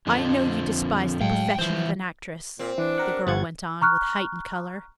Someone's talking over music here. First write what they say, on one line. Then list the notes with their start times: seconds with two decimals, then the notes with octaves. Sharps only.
"I know you despise the profession of an actress," the girl went on with heightened colour.
0.07 F2 D3 F3
1.21 A2 F#3 G#3 F5 G5
1.58 E3 F3 C5
2.59 A#2 C4
2.78 E3 D4
2.98 G4 A#4 F#5
3.27 G1 F#5 C#6 G#6 A6
3.82 A#5 C#6 F6 F#6